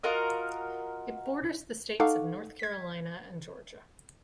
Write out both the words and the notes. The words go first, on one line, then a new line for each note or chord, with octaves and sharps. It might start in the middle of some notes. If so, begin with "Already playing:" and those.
It borders the states of North Carolina and Georgia.
F4 F#4 A#4 D#5
D#4 A4 F5 F#5 C#6 D6
G#6 B6